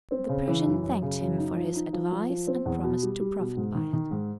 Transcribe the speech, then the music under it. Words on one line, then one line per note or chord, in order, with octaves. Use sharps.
The Persian thanked him for his advice, and promised to profit by it.
C4
C#3
E3
F#2
F#2
C#3
F#2
D#4
F3
D#4
F3
F3
F3
C4
E2
B2
G3
G3
B2
G#2
D#3
D#3
G#2